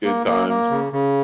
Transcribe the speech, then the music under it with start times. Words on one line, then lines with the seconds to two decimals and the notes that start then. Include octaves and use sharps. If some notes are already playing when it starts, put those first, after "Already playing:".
Good times.
0.05 A#3
0.27 A#3
0.48 A#3
0.70 C#3
0.93 C#3